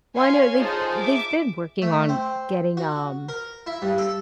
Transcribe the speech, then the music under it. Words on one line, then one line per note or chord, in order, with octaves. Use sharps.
Well, I know, they've they've been working on getting, um
C#5 F5 G#5 C6
D#4 F4 G#4 A4 C5 D#5
E5 D6
A3
C4
F#4
A#4
E4
G2
A4